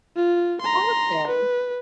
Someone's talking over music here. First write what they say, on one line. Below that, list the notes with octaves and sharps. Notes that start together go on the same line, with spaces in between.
Oh, okay.
F4
A#5 C6
B4